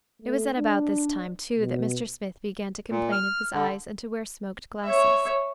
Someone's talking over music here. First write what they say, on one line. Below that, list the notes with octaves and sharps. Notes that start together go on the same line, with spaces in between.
It was at about this time, too, that Mr. Smith began to complain of his eyes and to wear smoked glasses.
A3
D4
B2
A#2
F6
D3
C#5 E5